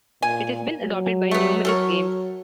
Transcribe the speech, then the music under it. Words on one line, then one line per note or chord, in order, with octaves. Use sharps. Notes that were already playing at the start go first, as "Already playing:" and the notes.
It has been adopted by numerous games.
A#2 G#5
F#3
A3 B3
A4 A#4 C#5